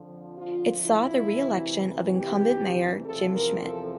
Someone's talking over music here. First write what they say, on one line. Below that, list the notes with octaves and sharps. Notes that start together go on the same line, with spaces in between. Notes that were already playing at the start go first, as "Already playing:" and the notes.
It saw the reelection of incumbent mayor Jim Schmitt.
Already playing: F2 D3 F3
F4
E4
D2 C3 E3
G4
E2 C3 F3 A4
A#4
A4